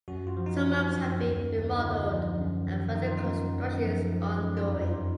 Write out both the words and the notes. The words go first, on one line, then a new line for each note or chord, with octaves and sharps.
Some homes have been remodeled, and further construction is ongoing.
F#2 F#4
F4
F3
D#4
F3
F#2
D#2
D#2
D4
D#4
D3 F4
F3
F#2
D#3
D#3 D#4
F4
D#4
F#2
F#2
F3
F3
F#2
F4
F2 D#4
F4